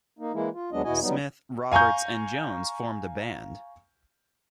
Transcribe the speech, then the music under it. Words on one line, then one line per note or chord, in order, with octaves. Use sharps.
Smith, Roberts and Jones formed a band.
A#3 D#4
E3 G#3 A#3 E4
F4
D#2 F#3 G#3 B3 D4 D#5
E2 B2 E4 F#4 D#5 G#5
F#3 G3 B3 D#4
F5 G#5 A#5 C#6 G6